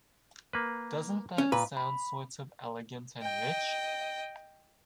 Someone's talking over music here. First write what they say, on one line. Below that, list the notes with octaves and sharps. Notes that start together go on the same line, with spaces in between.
Doesn't that sound sort of elegant and rich?
A#3 B4
C#4
A#2 B4
B5
D#5 G5